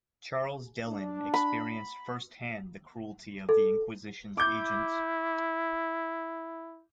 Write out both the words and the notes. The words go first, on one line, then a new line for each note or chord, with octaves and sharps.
Charles Dellon experienced first hand the cruelty of the Inquisition's agents.
D4
B5
A4
E4 D6 G6